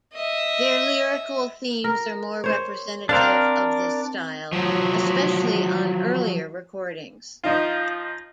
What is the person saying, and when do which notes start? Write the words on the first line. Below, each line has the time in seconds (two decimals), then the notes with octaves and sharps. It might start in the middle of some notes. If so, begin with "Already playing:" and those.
Their lyrical themes are more representative of this style, especially on earlier recordings.
0.13 D#5 E5
1.84 A#4
2.44 C5 C#5
3.09 C4 D4 A#4 F5 F#5
4.53 F3 F#3
7.44 F3 D#4 F4